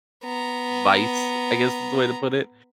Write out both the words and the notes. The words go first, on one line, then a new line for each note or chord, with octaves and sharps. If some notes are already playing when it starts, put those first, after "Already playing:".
vice, I guess is the way to put it,
B3 A#5